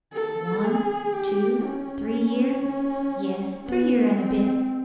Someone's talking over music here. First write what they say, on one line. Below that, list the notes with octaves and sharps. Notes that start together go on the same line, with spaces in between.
"One, two, three year; yes, three year and a bit."
A4
G#4
G4
C#4
B3
C4